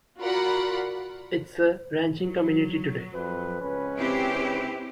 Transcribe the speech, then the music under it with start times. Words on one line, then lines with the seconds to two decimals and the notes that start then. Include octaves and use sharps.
It is a ranching community today.
0.19 F4 F#4 A#4 D5 F#5 B5
2.19 F#3
3.13 F2 B4
3.62 C#2 C#4 B4
3.97 C4 E4 G4